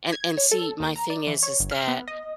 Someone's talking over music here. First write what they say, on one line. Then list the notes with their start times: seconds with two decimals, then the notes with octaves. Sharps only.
and and see my thing is is that
0.13 G#6
0.37 C#5
0.52 A4
0.80 D#2
0.96 A#5
1.10 D5
1.27 E3
1.43 C#5
1.60 G1
1.71 F6
1.88 B3
2.08 D#5